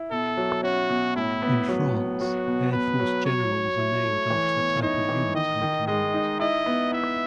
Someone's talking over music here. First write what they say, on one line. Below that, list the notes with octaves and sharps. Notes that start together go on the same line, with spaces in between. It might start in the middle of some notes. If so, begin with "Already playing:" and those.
In France, Air Force generals are named after the type of unit they command.
Already playing: E4
B2 A4
F#3
C#4 F#4
B2
A2 E4
B3
F#3
B3
F#3 F#4
B2
B2 B4
F#3
F#3 C#5
F#3
E4
A3
E3
B3
D#4 C#5
E3
D#3 D#5
D#3
G#3 D#5
D#4
E4 D#5
B3
E4 E5